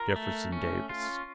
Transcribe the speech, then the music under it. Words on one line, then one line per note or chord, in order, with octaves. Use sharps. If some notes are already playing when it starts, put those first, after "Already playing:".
"Jefferson Davis."
Already playing: F4 A#4
A3
C#4
F4